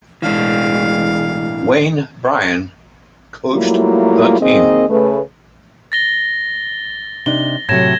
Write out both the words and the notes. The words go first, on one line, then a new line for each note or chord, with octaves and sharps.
Wayne Bryan coached the team.
A1 G#2 B2 E3 G#3 D4 F5
F#3 G3 A3 A#3 E4 F4
F#2 D#3 A#3 C4 G#4 D#5
C#3 A3 B4
A6 A#6 G7
C3 D4 D#4 G7
A2 C3 F#3 G#6 A#6 E7